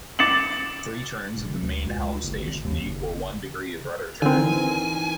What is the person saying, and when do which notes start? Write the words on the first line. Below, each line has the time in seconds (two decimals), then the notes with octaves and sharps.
Three turns of the main helm station equal one degree of rudder turn.
0.19 D6 A6 C#7 E7 F#7
1.36 E1
1.62 D2
1.87 C#2
2.24 F#1
2.40 G#1
2.64 D#2
2.86 F#1
4.22 D3 E3 C4 D#4 A#4 G#5